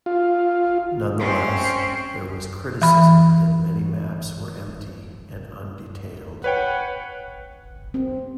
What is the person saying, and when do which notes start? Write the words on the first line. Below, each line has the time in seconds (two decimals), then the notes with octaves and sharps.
Nonetheless, there was criticism that many maps were empty and undetailed.
0.06 F4
1.19 C4 C#4
2.82 E3 B5
6.44 B4 C#5 F#5 G5
7.94 C4